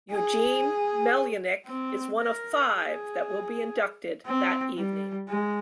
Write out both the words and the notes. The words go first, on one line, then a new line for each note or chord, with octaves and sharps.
Eugene Melynk is one of five that will be inducted that evening.
G#4
C4
A#4
G#4
C4
G3
G#3